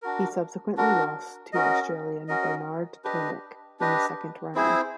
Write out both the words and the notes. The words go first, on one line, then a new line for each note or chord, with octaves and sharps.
He subsequently lost to Australian Bernard Tomic in the second round.
D4 F#4 A#4
D4 F#4 A#4
C#4 F#4 A#4 D#5
C#4 F#4 A#4 D#5
D4 G4 B4 D#5
D4 G4 B4 D#5
C4 E4 G#4 C5